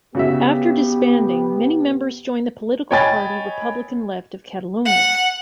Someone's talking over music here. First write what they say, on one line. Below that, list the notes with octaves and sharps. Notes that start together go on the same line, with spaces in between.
After disbanding, many members joined the political party Republican Left of Catalonia.
C#3 B3 F#4 G4 E5
C#5 D#5 G5 G#5 B5 A6
F#5